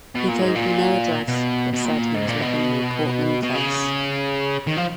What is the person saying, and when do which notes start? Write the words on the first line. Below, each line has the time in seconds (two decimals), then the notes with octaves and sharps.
He gave me no address, but said he was living near Portland Place.
0.15 B2
0.28 A#2
0.42 G#2
0.55 A#2
1.28 B2
1.73 B2
1.85 A#2
2.14 G#2
2.28 A#2
2.41 B2
3.43 B2
3.54 C#3
4.67 D#3
4.77 F3